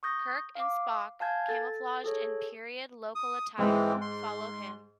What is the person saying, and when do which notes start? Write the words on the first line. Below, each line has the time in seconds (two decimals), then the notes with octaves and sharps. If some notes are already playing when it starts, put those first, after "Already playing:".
Kirk and Spock, camouflaged in period local attire, follow him.
0.03 C#6 D#6 G6 A#6
0.55 F5 D6
1.20 F5 G#5 A5 G6 G#6
1.49 A4 A6
2.04 G#4 A4 C#5
3.15 D#6
3.59 G#2 E3 G#3 C4
4.01 C6